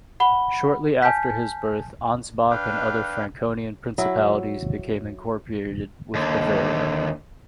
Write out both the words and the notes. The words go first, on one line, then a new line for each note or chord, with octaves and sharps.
Shortly after his birth Ansbach and other Franconian principalities became incorporated with Bavaria.
F#5 B5 G7
G#5 A5 F6 G6 B6
D4 B4 F5 G5
F#3 E4
D#2 D3